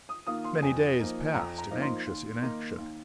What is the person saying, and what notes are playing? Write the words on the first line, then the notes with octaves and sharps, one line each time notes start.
Many days passed in anxious inaction.
D#6
D#3 A#3 F4 D#6
C6
F2 G#5
F3 A#3 D#4
F2 A#5
A#5
F3 A#3 D#4
C6
D#2
D#3 A#3 D#4
D#2